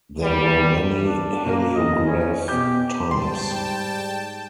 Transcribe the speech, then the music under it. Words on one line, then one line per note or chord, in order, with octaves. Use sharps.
There were many heliograph types.
G3
D4
A#2 A#3 A#4
D#5
C#4
B2 G4 G6
G#2 G3 G5 A5 C6